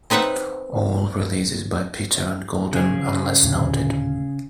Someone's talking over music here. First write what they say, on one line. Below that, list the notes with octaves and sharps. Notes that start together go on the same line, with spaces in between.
All releases by Peter and Gordon unless noted.
C4 D#4 B4 E5 F#5
C#3 G#4
D#1 A2 D3